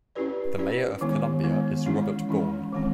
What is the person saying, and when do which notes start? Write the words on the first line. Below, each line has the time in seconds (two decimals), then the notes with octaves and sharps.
The mayor of Columbia is Robert Bourne.
0.15 C#4 E4 G4 B4 D5
0.58 C#4 E4 G4 B4 D5
1.01 D#3 G#3 B3 E4
1.44 D#3 G#3 B3 E4
1.86 E3 G#3 C#4 E4
2.29 E3 G#3 C#4 E4
2.73 D#3 G#3 C4